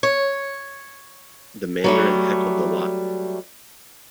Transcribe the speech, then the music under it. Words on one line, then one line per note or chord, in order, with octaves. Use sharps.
The mandarin heckled the lot.
C#5
F#3 G3 A3